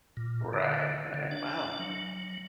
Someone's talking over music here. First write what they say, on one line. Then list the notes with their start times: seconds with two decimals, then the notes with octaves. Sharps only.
Right, right. Wow.
0.17 A#2
0.53 D3
1.14 D3
1.31 D4
1.79 F#3